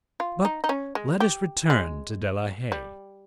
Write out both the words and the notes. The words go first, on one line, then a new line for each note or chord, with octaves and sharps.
But let us return to De la Haye.
F4
D#4
D#4
C#4
G#3
G4
G#3
G3